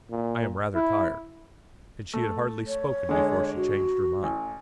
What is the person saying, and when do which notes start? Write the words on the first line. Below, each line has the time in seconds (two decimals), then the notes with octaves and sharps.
"I am rather tired." And she had hardly spoken before she changed her mind.
0.11 A#2
0.75 E4
2.14 A3
2.67 C#5
3.09 D3 G#3
3.56 F#4
4.23 A1